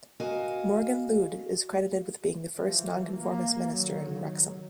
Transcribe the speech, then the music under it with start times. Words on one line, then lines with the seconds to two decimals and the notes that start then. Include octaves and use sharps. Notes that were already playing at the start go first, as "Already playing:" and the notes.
Morgan Llwyd is credited with being the first Nonconformist minister in Wrexham.
0.20 F#4 A#4 D#5 F5 G#5
2.56 E3 F3
3.17 A#3
3.75 D#3 F#3